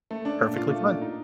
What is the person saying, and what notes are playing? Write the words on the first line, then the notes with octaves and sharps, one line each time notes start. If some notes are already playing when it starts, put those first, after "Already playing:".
Perfectly fine.
A3
D4
A#2
F4
A3
D4
D#4